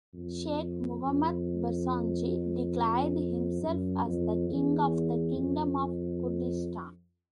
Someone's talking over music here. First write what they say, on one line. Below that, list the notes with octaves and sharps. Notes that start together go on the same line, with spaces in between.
Sheikh Mahmud Barzanji declared himself as the King of the Kingdom of Kurdistan.
F2
F2
F#2
F2
E2
F2